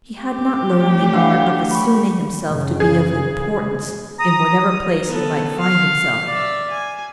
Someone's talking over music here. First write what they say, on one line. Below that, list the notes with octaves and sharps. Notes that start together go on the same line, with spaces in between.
He had not learned the art of assuming himself to be of importance in whatever place he might find himself.
G4
F#3 G3 A3
D4 F5 F#5
B5 C#6
F#2 C#3
G#4
A#5 D#6
B3 A4
F5
D5 E5
G#5